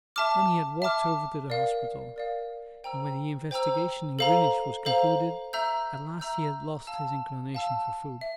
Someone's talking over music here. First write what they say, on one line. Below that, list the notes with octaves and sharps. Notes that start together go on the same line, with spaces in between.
Then he had walked over to the hospital; and when the investigation in Greenwich was concluded at last he had lost his inclination for food.
E5 A5 D6 F6
E5 A5 D6 F6
A#4 D5 F5
A#4 D5 F5
C5 G5 A#5 E6
C5 G5 A#5 E6
A4 C5 F5 A#5
A4 C5 F5 A#5
E5 A#5 E6 G6
E5 A#5 E6 G6
F5 A5 E6
F5 A5 E6
E5